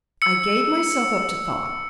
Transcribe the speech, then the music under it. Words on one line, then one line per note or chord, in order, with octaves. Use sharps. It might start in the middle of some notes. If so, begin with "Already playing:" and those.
I gave myself up to thought.
E6 C#7